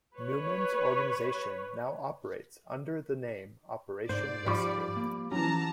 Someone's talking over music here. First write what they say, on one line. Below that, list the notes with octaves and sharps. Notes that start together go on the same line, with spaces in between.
Newman's organization now operates under the name Operation Rescue.
B4 C#5
G#2 C5 D5
G#2 F3 G3 B5 D6
A#3
E3 F#3 C#4 A5 A#5